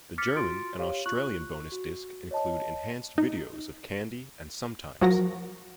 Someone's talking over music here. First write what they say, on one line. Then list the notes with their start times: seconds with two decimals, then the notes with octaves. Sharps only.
The German and Australian bonus disc include enhanced videos of "Candy" and "Sometimes".
0.18 D6 F6 A6 B6 C#7
0.36 F4 F#4 C6 A6 D7
0.78 G4 C#5 F5
1.06 F4 C#6 F#6 F#7
1.72 F#4
2.31 C#5 D#5 A5
3.18 D#4
5.01 F3 F#3 F#4 A#4 A#6